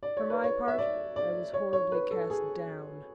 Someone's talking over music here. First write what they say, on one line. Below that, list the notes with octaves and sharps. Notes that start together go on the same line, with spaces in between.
For my part, I was horribly cast down.
D5
C#5
B4
C#5
E5
D5
D5
C#5
C#5
B4
A4
G#4